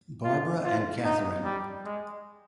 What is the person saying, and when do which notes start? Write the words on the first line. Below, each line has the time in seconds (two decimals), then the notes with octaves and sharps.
Barbara and Catherine.
0.24 F4
0.65 F4
1.05 D#4
1.45 G3
1.85 G#3